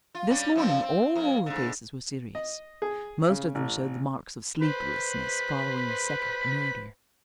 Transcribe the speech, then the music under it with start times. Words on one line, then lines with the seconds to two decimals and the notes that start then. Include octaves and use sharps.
This morning all the faces were serious; most of them showed the marks of sleeplessness following the second murder.
0.15 F4
0.30 G3 C#4 D4
0.56 G2 F3 C4
0.83 C4
1.15 F2 A#3
1.46 G#2 D3
2.35 D#5
2.82 G#4
3.30 C#3
3.55 A1
4.62 B4 C5 B5